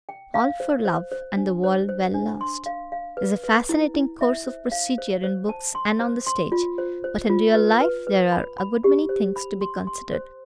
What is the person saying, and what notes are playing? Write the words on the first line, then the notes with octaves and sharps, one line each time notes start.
"All for love, and the world well lost," is a fascinating course of procedure in books and on the stage, but in real life there are a good many things to be considered.
G5
F5
C5
C5
C5
D4
C5
C5
D4
C6
F5
F5
B4
B4
E4
E4
E5
C5
F5
C5
C5
A5
C6
C5
C6
F4
C5
C5
F4
B4
B4
B4
B5
B5
G4
C5
B5
C6
C6
C5